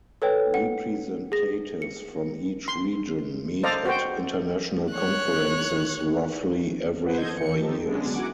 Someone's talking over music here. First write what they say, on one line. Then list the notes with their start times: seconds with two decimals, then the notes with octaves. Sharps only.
Representatives from each region meet at International Conferences roughly every four years.
0.22 A4 B4 C#5 G5
0.54 F#5
1.32 G#4 A#6
1.82 C#7
2.68 C6
3.63 A4 C5 D5 D#5 F5 A#5
3.85 F#4 C5 G5
4.92 C#5 F#6
7.05 G#4 B4 C5 F#5
7.17 A4 C5 D#5 G6 G#6
7.35 E2 E3 C#7
7.60 D#3 F3 D#4 G4 A4
7.85 D3 F#3 G#3 B3 C#4 D4
8.14 E4 F#4 A#4 F#5 G#5 D6